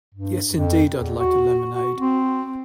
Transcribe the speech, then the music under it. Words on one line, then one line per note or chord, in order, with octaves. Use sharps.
Yes indeed, I'd like a lemonade.
G2
F2
E2
F#4
F#4
C4